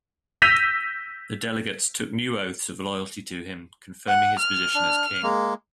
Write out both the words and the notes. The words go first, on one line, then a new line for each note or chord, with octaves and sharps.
The delegates took new oaths of loyalty to him, confirming his position as king.
E6 G6 A#6 B6 D#7 F7
F#5
F6
D4
G#3 A#3